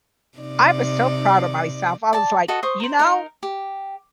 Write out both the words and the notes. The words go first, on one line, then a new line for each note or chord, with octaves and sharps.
I was so proud of myself. I was like, "You know,
C3 D#4 D5
D5 A5
F#4 A4 D#5
C5 C#6 D#6
A#4 C5
D#4 A#4
G4